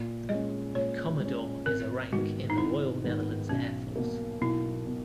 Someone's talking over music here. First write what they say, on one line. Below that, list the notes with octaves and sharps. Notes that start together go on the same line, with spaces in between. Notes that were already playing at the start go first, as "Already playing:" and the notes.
Commodore is a rank in the Royal Netherlands Air Force.
Already playing: A#2
G#3 C#4 D#5
A#2 C#5
G#3 C#4
G#1 A#4
G#2 D#3 G#3 B3 F#4
D#4
G#1 E4
G#2 D#3 G#3 B3
B1 C#4
B2 A#3
B1 E4
B2